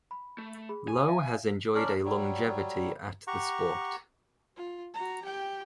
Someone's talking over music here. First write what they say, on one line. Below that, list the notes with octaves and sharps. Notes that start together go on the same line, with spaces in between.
Lowe has enjoyed a longevity at the sport.
B5
A3
G#4 B5
G#5
E5 F5
C#4 D4 A#4 D5
F#3 G3
G4 F#5 A#5 C#6
F4
F#4 A#5
G4 G5